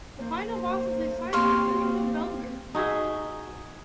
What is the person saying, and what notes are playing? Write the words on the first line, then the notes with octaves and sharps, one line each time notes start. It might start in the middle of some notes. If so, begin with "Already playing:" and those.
The final boss is a cyborg version of Belger.
A#3 C5
A#3 C4 G4 C#5 F5 C6
D#4 F#4 G#4 E5